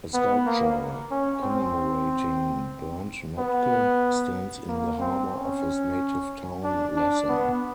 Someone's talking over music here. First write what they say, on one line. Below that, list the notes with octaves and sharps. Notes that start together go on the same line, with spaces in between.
A sculpture commemorating Bernt Notke stands in the harbour of his native town Lassan.
B3
A#3
C#4
C4
B3
A#3
C4
C#4
D4
D4
B3